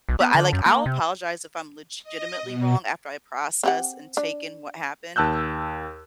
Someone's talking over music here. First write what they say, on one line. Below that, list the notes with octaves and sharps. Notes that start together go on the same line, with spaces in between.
but I like I'll apologize if I'm legitimately wrong after I process and take in what happened.
B1
B3
D3
F#2
A#3
C3
D#5
B2
C4 G4 F#5
D4
D#2 A5 E6 F#6 G6